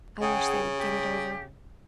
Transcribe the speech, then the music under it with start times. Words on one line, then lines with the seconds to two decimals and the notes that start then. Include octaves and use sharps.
I wish they would get it over!
0.21 C#3 G#4 F#5 G5
0.78 G4